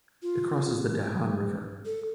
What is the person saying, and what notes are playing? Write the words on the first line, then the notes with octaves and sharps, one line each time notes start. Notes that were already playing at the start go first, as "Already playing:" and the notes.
It crosses the Dahan River.
F4
A4